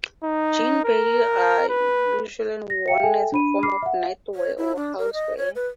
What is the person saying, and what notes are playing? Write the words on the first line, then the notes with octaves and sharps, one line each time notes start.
"Jinbei" are usually worn as a form of nightwear or house wear.
D#4
A#4
B4
A#6
E5 F5 G5 C#7
A4 E5 G5 G#5
D4 B5 D#7
B5 D6 F6 C7
E5 F#5
C#5
E4
D4
A#4
D#5
C#5
B4